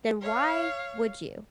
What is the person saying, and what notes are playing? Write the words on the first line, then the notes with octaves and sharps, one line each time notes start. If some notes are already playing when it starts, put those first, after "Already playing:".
then why would you?
C#5 F5